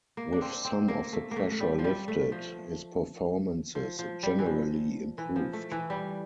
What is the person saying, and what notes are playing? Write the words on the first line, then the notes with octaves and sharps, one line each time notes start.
With some of the pressure lifted, his performances generally improved.
A#3
D4
C4
C4
A#3
A3
A#3
A3
A3
G3
F3
G3
A3
F3
F3
F3
G3
E3
F3
E3
F3
A3
E3
G3